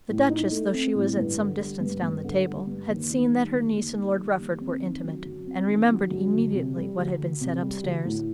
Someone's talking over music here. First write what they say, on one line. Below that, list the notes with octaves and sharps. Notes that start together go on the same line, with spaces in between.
The Duchess, though she was at some distance down the table, had seen that her niece and Lord Rufford were intimate, and remembered immediately what had been said up-stairs.
A2
D#4
A3
C4
A2
G2
D3
G3
G2
G2
D3
G3
G2
D#2
D#3
G3
D#2
D#2
D#3
G3
D#2
C4
D#3
F#3
F#2
C4
D#3
F#3
F#2
D2
C3
G3
D2
D2
C3
G3
D2
A2